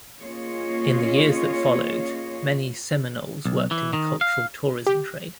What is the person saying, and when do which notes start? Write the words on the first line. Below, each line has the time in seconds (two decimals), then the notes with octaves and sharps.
In the years that followed, many Seminoles worked in the cultural tourism trade.
0.21 A#3 C#4 F4 G#4 C#5 D#5
3.45 B1
3.71 E3
3.93 D#3
4.21 F5
4.87 G4